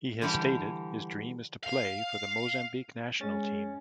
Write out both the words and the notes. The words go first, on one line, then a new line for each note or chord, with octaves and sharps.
He has stated his dream is to play for the Mozambique national team.
D3 E3 G3 G4
F5
G#3 C#4 A6